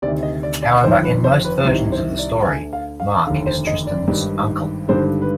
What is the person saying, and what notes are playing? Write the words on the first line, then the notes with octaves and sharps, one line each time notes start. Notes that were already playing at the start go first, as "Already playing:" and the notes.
However, in most versions of the story, Mark is Tristan's uncle.
D2 C3 D#3 D5
D#5
D5
D5
G1 F2 D#3 C5
B4
C5
B4
C2 C3 D#3 C5
C5
D5
D2 D3 G#5
F5
F5
F1 D#2 D3 F5
C5
D#5
D5
G#1 G2 D#3
G#1 G2 D3 C5
B4